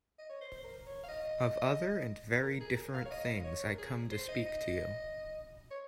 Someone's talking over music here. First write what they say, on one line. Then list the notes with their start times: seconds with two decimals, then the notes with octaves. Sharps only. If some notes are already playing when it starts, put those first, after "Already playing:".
Of other and very different things I come to speak to you.
0.19 D#5
0.30 C#5
0.41 C5
0.57 C5
0.64 A#4
0.86 C#5
1.04 F5
1.09 D#5
2.43 A#4
2.61 G#4
2.77 A#4
2.94 F5
3.06 C#5
3.11 D#5
3.44 C#5
3.68 A#4
3.78 G#4
4.12 C5
4.29 D#5
4.46 D#5
5.71 C#5